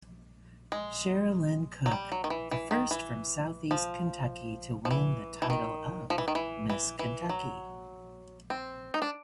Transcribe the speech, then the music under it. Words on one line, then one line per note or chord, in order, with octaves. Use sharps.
Chera-Lyn Cook, the first from Southeast Kentucky to win the title of Miss Kentucky.
G#3
F#3
G3
F#3
D#3
E3
E3
D#3
E3
F3
F3
E3
E3
D#3
F3
E3
D#3
E3
E3
E3
F#3
C4
D#4
D4